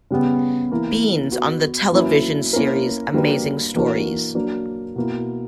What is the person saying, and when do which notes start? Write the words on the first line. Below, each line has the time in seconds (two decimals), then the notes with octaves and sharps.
Beanes on the television series "Amazing Stories".
0.11 C#3 G3 B3
0.71 E3 A#3 E4
1.31 B3 F#4 B4
1.92 F#3 A#3 C#4 E4 B4
2.53 A#3 C#4 E4 A#4
3.14 G3 A#3 D4 F#4 B4
3.75 E3 A#3 D4 F#4 A#4
4.35 F#3 A#3 D4
4.96 B2 A#3 E4